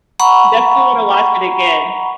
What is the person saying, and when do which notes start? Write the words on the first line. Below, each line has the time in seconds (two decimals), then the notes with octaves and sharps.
defintietly wanna watch it again.
0.20 F#5 A#5 B5 C#6